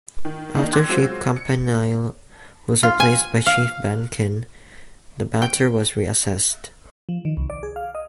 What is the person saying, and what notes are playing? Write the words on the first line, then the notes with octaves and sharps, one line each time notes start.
After Chief Campanale was replaced by Chief Benken the matter was reassessed.
D#3
D#3 A#3 D4 D#4
G5 C6 D6 E6 F#6 G#6
F#3 G#3 C4 F4 F#4 C5
C#7
F4
G#5
F5
G5
F3
D#3
C2
D5
G#4
F5
D#5